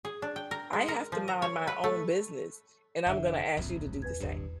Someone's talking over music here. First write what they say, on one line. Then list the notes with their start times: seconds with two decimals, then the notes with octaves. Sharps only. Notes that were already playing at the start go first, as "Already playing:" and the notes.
I have to mind my own business and I'm gonna ask you to do the same.
0.05 G#4
0.22 D4
0.36 G5
0.51 A#4
0.73 G#3
0.88 A#4
1.12 F3
1.28 A#5
1.42 C#5
1.67 B4
1.84 A3
3.07 F1 D3 E5
3.57 D1 A#1 F2
4.02 E2 B4 G#6
4.21 D#1 G#1 G2